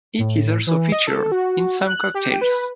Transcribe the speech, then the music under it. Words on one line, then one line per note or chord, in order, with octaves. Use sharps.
It is also featured in some cocktails.
A2
E3
D#5
A4
F#4
F#6
G4
B4